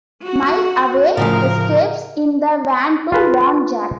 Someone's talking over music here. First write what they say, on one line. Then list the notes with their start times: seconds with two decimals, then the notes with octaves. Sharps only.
Mile-Away escapes in the van to warn Jake.
0.24 F#4
1.17 A2 C#3 F3 A#4
3.12 F4 B4